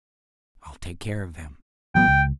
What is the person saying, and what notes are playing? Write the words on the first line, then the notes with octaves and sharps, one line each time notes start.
I'll take care of them.
A1 F#3 B3 G5
C#2